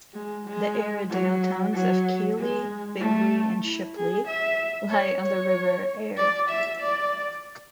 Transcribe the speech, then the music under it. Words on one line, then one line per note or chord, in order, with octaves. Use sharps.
The Airedale towns of Keighley, Bingley and Shipley lie on the River Aire.
G#3
G#3
F#3
F#3
G#3
A3
E4
G#4
E5
C#5
C#5
D5
E5
D5